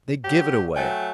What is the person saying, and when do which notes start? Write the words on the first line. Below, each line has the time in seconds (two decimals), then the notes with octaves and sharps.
They give it away.
0.24 F#3 G4
0.76 F#3 A3 G5 G#5 F#6 G6